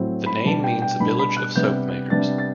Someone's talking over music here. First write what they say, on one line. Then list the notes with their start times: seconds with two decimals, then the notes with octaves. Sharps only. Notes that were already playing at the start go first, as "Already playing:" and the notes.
The name means village of soapmakers.
Already playing: A2 F#3 C4 E4
0.26 B5
0.45 B2 G3 D4 A5
0.64 G5
0.82 G5
1.00 B2 G3 D4 B5
1.19 B5
1.37 F#6
1.56 C3 G3 B3 D4 G6
2.10 C3 G3 B3 D4 A6
2.38 A6